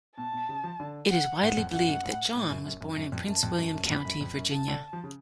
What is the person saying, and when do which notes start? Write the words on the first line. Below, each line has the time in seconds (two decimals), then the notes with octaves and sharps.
It is widely believed that John was born in Prince William County, Virginia.
0.17 B2 A5
0.33 B2
0.49 C#3
0.64 F3
0.80 D3
1.11 F#5
1.42 G#2 F#5
1.57 F2
1.72 F#2 F#5
1.88 F#2
2.03 A2
2.35 A2
2.50 F#2
2.66 F#2
2.81 F#2
2.96 F#2
3.12 F2
3.28 F#2 A5
3.43 F2
3.59 F#2
3.74 F#2
3.90 F2 B5
4.05 F#2
4.21 F2
4.36 F#2
4.52 C#3 A5
4.68 D3
4.93 F3
5.04 C#3